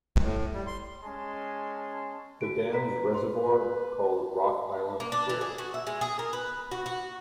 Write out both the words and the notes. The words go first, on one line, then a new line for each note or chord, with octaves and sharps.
The dam's reservoir is called Rock Island Pool.
A2
G3
C6
G#3 C#4 G#5 A5 C6
F#4 D7
B4 A#5 B6
C6
A#3
D4
E3
G#4
F#4
E5
G#3
G#4
A#4
B4
F#4
F#4